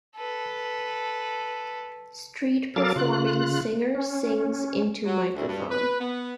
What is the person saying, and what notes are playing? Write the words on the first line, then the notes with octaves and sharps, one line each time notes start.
Street performing singer sings into microphone.
A4 B4
F#3 A4 A#4 F5 D6 A6
C#3 F4 F#6
C#4
F#3
D2
G2
B4
B3